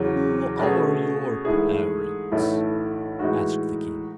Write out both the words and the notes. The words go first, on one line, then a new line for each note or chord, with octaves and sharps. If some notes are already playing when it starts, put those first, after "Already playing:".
"Who are your parents?" asked the king.
Already playing: E2 C#3 F#3
B2 A3 C#4 G#4
G#2 E3 A3 E4 G#4
B1 A2 E3 A3 E4
A2 E3 G#3 D#4 F#4